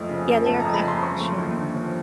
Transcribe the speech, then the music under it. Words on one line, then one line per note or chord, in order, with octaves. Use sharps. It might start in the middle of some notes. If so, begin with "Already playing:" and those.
Yeah, they are classic for sure.
Already playing: F2 F3 A3
C#3
F3
A3 A5
F2 A#5
B5
C#3 C6
F3 C#6
A3
D#2
D3
F3